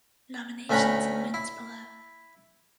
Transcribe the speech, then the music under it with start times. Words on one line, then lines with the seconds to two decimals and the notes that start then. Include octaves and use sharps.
Nominations and wins below.
0.70 D2 A3 C#4 F#5 A#5 B5
1.34 E4